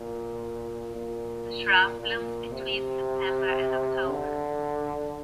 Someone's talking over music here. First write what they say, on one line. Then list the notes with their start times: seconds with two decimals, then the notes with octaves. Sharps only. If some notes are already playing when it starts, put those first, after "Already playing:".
The shrub blooms between September and October.
Already playing: A#2
0.96 A#2
2.00 A#2
2.52 C3
4.10 D3